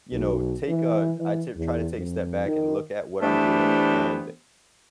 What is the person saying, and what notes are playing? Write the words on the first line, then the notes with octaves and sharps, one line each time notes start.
you know, take a I ter try to take a step back and look at what I'm doing, and,
B1
E3
E3
E2
F2
D#3
E3 A3 B3 D4 G4 C5